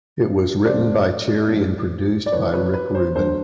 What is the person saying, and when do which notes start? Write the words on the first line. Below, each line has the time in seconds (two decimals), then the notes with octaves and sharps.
It was written by Cherry and produced by Rick Rubin.
0.65 F2 C#3 E3 C5 D5
1.48 G#2 F3
2.26 D5
2.32 F2 C3 E3 B4 C#5
2.53 B4 C#5
2.73 B4
2.95 C5
3.16 D2 D3 F#3 C5